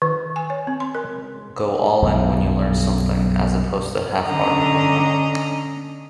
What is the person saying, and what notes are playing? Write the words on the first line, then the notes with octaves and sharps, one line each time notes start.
Go all in when you learn something, as opposed to half-heartedly.
D#3
G#5
C#5
C4
C6
A#4
B1 F#2
D3 C#4 D4 D#5 A#5